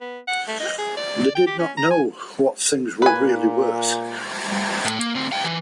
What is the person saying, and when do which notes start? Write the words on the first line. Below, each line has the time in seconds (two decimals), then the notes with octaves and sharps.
They did not know what things were really worth.
0.01 B3
0.28 F#5
0.47 A3
0.60 D#5
0.78 G#4
0.97 D5
1.35 G5
1.46 G4
1.59 C#4
1.77 A#5
1.90 G#5
3.02 A#2 B4 G#5
4.85 A2
4.99 A#3
5.15 D2 C4
5.32 F5 G5
5.44 E3